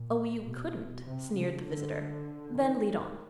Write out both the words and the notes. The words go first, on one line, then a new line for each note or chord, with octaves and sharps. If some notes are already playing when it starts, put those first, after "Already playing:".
"Oh, you couldn't," sneered the visitor; "then lead on!"
Already playing: A#2
B2
C3
C#3
D3
D#3